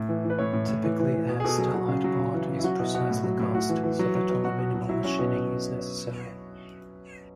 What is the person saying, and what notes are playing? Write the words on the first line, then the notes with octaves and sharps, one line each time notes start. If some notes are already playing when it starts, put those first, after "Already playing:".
Typically, a Stellite part is precisely cast so that only minimal machining is necessary.
Already playing: A2
E3
E3
B4
A2 C#5
A2
A2
E3
E3
E3
B2
G#4
B2 A4
F#3 G#4
F#3 F#4
C#3
F#3
C#3
E3
C#3
E4
F#3 F#4
B2 E4
B2 F#4
A2
F#3
A2
A2 F#4
E3
E3
F#3
F#3
B2
F#3 F#4
B2
F#3
F#3 E4
F#3 C#4
B2 B3